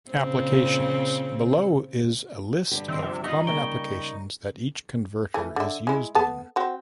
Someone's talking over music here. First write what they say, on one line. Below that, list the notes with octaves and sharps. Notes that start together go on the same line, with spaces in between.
Applications: Below is a list of common applications that each converter is used in.
A#2 C#3 C4
G2 D3 G4
D#3 C4 E5
C3 F3
B3 D#4 F4 D#5
C#3 G3 A#3 G5 C#6
E3 A3
D3 E5
G#3 E4
B3 A4 A5
C4 F#4